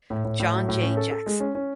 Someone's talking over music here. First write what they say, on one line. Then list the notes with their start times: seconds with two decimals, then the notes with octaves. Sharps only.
John Jay Jackson.
0.10 A2
0.25 A2
0.40 A2
0.54 F#3
0.68 A2
0.83 C#4
0.97 A4
1.11 A4
1.26 G#3
1.40 C#4
1.55 C#4